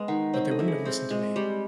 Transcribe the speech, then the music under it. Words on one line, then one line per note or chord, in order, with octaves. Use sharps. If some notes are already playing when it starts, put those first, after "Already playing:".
But they wouldn’t have listened to me.
Already playing: G#3 B3
D#3 F#5
C4 C#5
A4
E4
G#4
C4
G#3
G3 G4